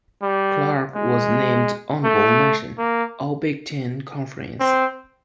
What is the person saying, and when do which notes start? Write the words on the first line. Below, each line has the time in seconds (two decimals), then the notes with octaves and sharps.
Clark was named honorable mention All-Big Ten Conference.
0.22 G3
0.96 G#3
2.04 A3
2.78 A#3
4.60 C4